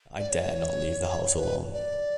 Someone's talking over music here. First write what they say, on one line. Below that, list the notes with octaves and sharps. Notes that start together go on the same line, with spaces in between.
I dare not leave the house alone.
D5
C#5
B4
D5